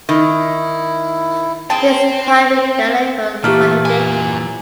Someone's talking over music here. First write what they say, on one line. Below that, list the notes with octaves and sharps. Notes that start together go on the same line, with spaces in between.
His primary dialect was Sahidic.
D#3 E4
C4 G#4 G5 A5
A#2 E3 A3 A#3 G4 F6
F#3 E4 G#5